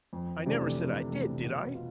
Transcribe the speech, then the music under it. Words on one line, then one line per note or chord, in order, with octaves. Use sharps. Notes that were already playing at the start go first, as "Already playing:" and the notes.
I never said I did, did I?
F2
C3 E3 A3 D4
F2
C3 E3 A3 D4
B2
F4